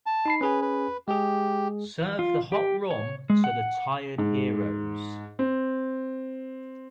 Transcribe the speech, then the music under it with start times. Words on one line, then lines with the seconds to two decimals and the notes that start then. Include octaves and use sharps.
Serve the hot rum to the tired heroes.
0.06 A5
0.26 D#4 B5 C7
0.41 C#4 G#4 B4 G#5
0.62 B4
1.08 G#3 G4 G#4
2.19 F4
2.52 G4
2.91 C#5
3.30 G#3
3.44 F#5
4.18 G#2
5.39 C4